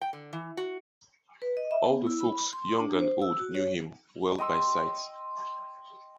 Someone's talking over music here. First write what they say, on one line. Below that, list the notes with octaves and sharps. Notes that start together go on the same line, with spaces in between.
All the folks, young and old, knew him well by sight.
G5
D3
E3
F#4
B4
D#5
E5
B3
E4
B5
C6
D4
C5
E6
F#4
C#5
D#5 G5 C6 E6